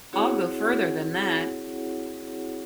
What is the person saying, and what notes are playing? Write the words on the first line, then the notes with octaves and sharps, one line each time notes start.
I'll go further than that.
C4 E4 F#4 G#4 C#5 F#5